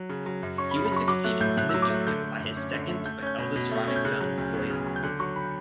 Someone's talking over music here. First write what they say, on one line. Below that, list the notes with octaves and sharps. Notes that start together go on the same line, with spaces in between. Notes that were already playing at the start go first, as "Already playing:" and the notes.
He was succeeded in the dukedom by his second but eldest surviving son, William.
Already playing: F#3
C#3
F#3
F#2
C#4 C#6
C#3 B5
B5
F#3 C#6
F#3 D6
A3 F#6
A2 G6
A2 F#6
F#3 E6
D6
A3 F#6
D3 G6
A3
F#2
C#4
D3
A3
A3 G6
C#4 G6
B2
B2
A3
C#4
G6
C#3 F#6
F#3
D2
B3
C#3
F#3
G6
D3 F#6
F#3 C#6
B5